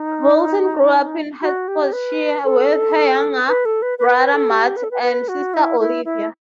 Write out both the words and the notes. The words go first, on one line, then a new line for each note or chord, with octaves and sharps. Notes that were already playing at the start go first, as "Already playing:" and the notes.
Wilson grew up in Hertfordshire with her younger brother Matt, and sister, Olivia.
Already playing: D#4
F#4
G4
B4
A4
B4
A4
B4
B4
B4
A4
G4
B4
A4
B4
B4
F#4
E4
E4
E4